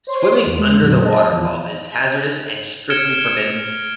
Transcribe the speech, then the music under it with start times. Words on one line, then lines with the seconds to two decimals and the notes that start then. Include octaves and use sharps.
Swimming under the waterfall is hazardous and strictly forbidden.
0.07 C5 C#5 C6
0.46 E2
0.58 G#3
0.80 F2 A#2 D3 F#3
1.04 G#4 D#5 A5
1.27 E2 F3
2.90 F6 G#6 C#7 D7 E7 G7